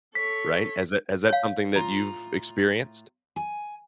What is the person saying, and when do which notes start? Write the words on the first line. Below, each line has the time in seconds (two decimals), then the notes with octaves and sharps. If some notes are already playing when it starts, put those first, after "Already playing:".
Right? Is that is that something that you've experienced?
0.15 A4 C#5 B6
1.29 C#5 F5
1.76 A2 F4 A#5
3.36 G#5